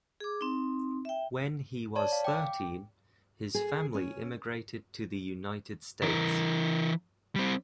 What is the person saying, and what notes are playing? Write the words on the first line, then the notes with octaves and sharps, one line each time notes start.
When he was thirteen, his family immigrated to the United States.
G#4 D6
C4 D#4
E5 G5
C#5 D5 A5
F5
G5 D6
G#4
C#4
E3 A#4
G3 C4